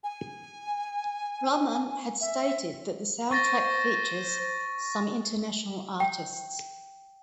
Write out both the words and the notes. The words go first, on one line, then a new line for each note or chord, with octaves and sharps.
Rahman had stated that the soundtrack features some international artists.
G#5
E5
C5 C#6 A6 A#6
G5